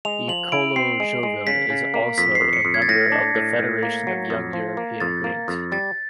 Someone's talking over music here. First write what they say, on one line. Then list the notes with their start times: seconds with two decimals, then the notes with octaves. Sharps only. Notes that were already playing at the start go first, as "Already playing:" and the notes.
Ecolojovem is also a member of the Federation of Young European Greens.
0.05 G#3 F7
0.28 F3 F#7
0.52 E4 D7
0.76 C4 C7
1.00 G#3
1.23 G#3
1.47 C#3 B6
1.70 C#3
1.94 A#3
2.18 F2 B6
2.35 C7
2.41 F2
2.53 C#7
2.65 F2
2.74 G#6
2.82 A6
2.89 A2 A#6
3.12 D4
3.35 A2
3.59 A2
3.83 A#3
4.07 F#3
4.30 F2
4.53 F3
4.77 A#3
5.00 F2 A6
5.24 A#3
5.48 F2
5.72 G3 A6